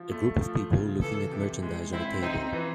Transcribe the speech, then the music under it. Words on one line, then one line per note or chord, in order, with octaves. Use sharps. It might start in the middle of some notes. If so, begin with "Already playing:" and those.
A group of people looking at merchandise on a table.
Already playing: F3
A3
F3
C#3
E3 A4
C3
G#3
C4 E4
C4 D#4
E3